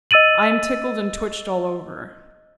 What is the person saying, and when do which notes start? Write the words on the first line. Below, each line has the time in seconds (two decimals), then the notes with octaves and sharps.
I am tickled and twitched all over.
0.11 D#5 E6 A6 D#7 F#7